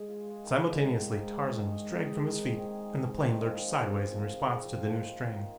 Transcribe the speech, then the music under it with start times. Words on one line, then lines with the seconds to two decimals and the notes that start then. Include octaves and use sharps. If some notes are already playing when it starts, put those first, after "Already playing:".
Simultaneously Tarzan was dragged from his feet and the plane lurched sideways in response to the new strain.
Already playing: G#3 G#4
0.08 F4
0.26 G#3
0.44 D#3
0.61 G#2
0.79 G#3
0.97 D#3
1.14 G#2
1.31 G#2
1.49 G#3
1.66 D#3
1.83 G#2
2.01 G#4
2.18 D#4
2.37 C4
2.53 D#3
2.72 G#4
2.89 D#4
3.06 C4
3.24 D#3
3.41 F3
3.58 G#4
3.77 C4
3.94 F3
4.12 F3
4.29 G#4
4.46 C4
4.64 F3
4.81 D#3
4.99 F4
5.16 A#3
5.34 D#3